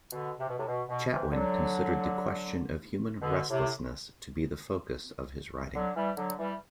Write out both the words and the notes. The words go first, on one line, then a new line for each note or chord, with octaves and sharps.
Chatwin considered the question of human restlessness to be the focus of his writing.
B2 D3
C3
B2
A2 C3
B2
B2
C3 E3
D3 F#3
B2 D3
A2 C3
D3 F#3
E3 G3
D3 F#3
E3 G3